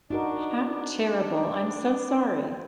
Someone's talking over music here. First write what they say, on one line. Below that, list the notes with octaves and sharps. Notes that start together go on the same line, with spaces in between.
How terrible, I'm so sorry.
D4 D#4 F#4 A#4